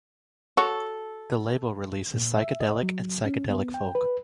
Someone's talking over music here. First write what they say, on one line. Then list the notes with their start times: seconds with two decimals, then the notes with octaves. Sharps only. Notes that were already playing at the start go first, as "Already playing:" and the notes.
The label releases psychedelic and psychedelic folk.
0.57 F#4 A4 C#5
2.14 A#2
2.37 E5
2.61 D#5
2.83 F#3
3.25 C#4
3.49 B3
3.74 G5
3.95 B4